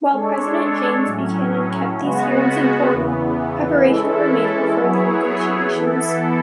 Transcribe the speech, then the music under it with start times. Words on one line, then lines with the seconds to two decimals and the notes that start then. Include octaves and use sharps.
While President James Buchanan kept these hearings informal, preparations were made for further negotiations.
0.12 G#3 D4 A4 C#5
1.06 A2 F#3 C#4
1.99 C#3 G#3 B3 F#4
2.92 E2 C#3 E3 B3
3.84 E3 G#3 C#4 E4 A4
4.78 F#3 B3 E4 G#4 C#5
5.71 E3 B3 E4 A4